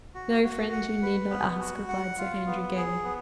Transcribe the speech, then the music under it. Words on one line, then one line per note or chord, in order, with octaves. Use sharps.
"No, friend, you need not ask," replied Sir Andrew, gaily.
F#4
F#4
F#5
B4
B3
F#4
F#5
F4
B3
G#4
B3